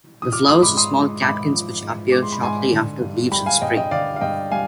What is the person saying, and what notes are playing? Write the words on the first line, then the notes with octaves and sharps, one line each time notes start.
The flowers are small catkins which appear shortly after the leaves in spring.
D#6
F3 D6 F6
C6 D#6
G#2 B5 D6
C6 D#6
G#3
G#2 B5 D6
F3
G#2
G#3 D6
C6
B5
G#2 G#5 C6
D3
G2
G3 G5 B5
F5 G#5
G2 D#5 G5
D#5 G5
D3 D5 F5
F5
G2 D#5 G5
G3 F5 G#5